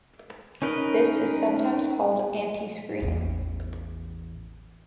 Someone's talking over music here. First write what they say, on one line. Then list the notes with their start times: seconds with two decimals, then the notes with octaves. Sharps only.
This is sometimes called "antiscreening".
0.62 C#4 D#4 A#4 B4 D#5
3.02 A1 E2